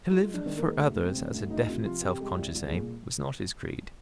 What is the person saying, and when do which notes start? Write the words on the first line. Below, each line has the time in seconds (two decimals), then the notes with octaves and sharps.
To live for others as a definite self-conscious aim was not his creed.
0.11 G#3 F4
0.28 G#3
0.34 D4
0.46 D#3
0.58 A#3
0.63 G#3
0.80 D2
0.98 C3
1.04 C4
1.15 D2
1.34 D2
1.50 D2 D#4
1.67 C3 F4
1.85 F3 F4
2.02 C3 G4
2.20 G#3 G4
2.37 C2
2.55 C2
2.67 G#4
2.72 A#2